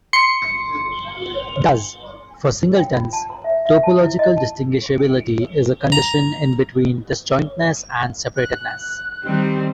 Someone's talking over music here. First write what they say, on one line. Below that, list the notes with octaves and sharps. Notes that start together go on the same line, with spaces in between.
Thus for singletons, topological distinguishability is a condition in between disjointness and separatedness.
C6 C#7
G5
F4
A5
A#5
E5
E5
A5
E4
D#5
A5
A#5
F#6
D#3 G3 C4